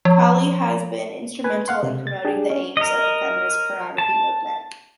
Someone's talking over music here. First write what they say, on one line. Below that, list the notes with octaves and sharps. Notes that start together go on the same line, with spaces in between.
Kali has been instrumental in promoting the aims of the feminist pornography movement.
F3
B4 G#5
F5 F#5 C6
C3
A6
D4 G4 G#4
C#4
A#4 D#5
A5